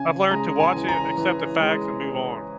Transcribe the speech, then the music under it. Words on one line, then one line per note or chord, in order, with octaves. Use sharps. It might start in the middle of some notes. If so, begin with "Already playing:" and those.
I've learned to watch it, accept the facts, and move on.
Already playing: C#3 C#4 G#5
G#3 A#5
G#5
E3
A#5
E3
G#3
G#3